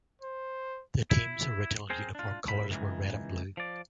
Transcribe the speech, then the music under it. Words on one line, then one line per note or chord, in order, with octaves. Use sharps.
The team's original uniform colors were red and blue.
C5
E4
C4 G#4 A#4 C5
D4 F4
C2 A2 B5
C#2 D#3 E3
F3 D5